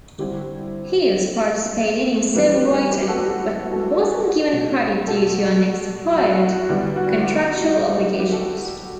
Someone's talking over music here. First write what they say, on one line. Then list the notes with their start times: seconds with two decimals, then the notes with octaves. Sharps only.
Hughes participated in song-writing, but wasn't given credit due to unexpired contractual obligations.
0.18 D3 G3 C4 E4 G4
2.35 E3 G3 B3 D4 G4 B4
2.53 G4
2.71 G4
2.90 G4 B4
3.02 G4
3.08 F#4 A4
3.26 G4
3.43 G4
3.71 F#4 A4
3.98 F#4 A4
4.52 B2 A3 D4
5.07 F#4 A4
5.24 G4
5.42 F#4
6.15 F#4
6.33 F#4
6.51 F#4
6.69 D3 G3 B3 E4 G4
6.96 F#4
7.23 G4
8.19 G4
8.32 F#4 A4